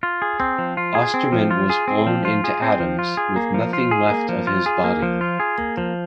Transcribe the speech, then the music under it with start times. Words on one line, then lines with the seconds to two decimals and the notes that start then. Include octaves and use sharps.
Osterman was blown into atoms, with nothing left of his body.
0.03 F4
0.22 G#4
0.40 C4
0.58 F3
0.77 F4
0.95 G#4
1.14 C4
1.32 F3
1.51 F4
1.70 G#4
1.88 C4
2.07 F3
2.25 F4
2.44 G#4
2.62 C4
2.80 F3
2.99 F4
3.17 G#4
3.36 A#3
3.54 F3
3.73 F4
3.91 G#4
4.10 A#3
4.29 F3
4.47 F4
4.66 G#4
4.84 A#3
5.02 F3
5.21 F4
5.40 G#4
5.58 A#3
5.77 F3